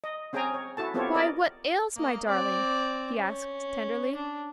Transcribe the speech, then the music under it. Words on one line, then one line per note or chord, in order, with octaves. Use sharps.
"Why! what ails my darling?" he asked tenderly.
D#5
C4 C#4 G#4 G5 G#5 A#5
C#5
E4 F#4 A4 A5
B3 C4 F4 G4 A4 C#5
A#4 D5 D#5
A#3 D#5
C4 D5
C#4
D4